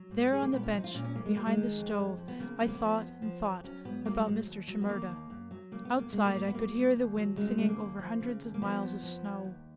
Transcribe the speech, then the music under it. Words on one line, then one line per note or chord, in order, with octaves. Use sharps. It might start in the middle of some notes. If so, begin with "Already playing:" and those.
There, on the bench behind the stove, I thought and thought about Mr. Shimerda. Outside I could hear the wind singing over hundreds of miles of snow.
Already playing: F#3
G#2
F3 G#4
A#3
A#2 B3
C#4
F3 D#4
F4
A#2 C#4
C#4
F2 A#3
G#3
F#3 A#3
G#3
D#3
F2
F2
F3
B3
C#3 A#3
F2 B3
A#3
B3
F3
F2
F3
F2
F#3 C#4
G#2 B3
F#3 A#3
G#3
G#2 G#3
D#2
F#3
B3
D#3 A#3
D#2
F#2
F#3
C#3 A#3
B3
F#2
A#3
F#3 G#3
A#3
G#2
B3
F#3 A#3
G#2
D#2
F#3
C#3 G#3
G#3
D#2 G#3
A#3
D#2
F3
C#3
D#2
A#3
F3 B3
F2
F3
F2
D#2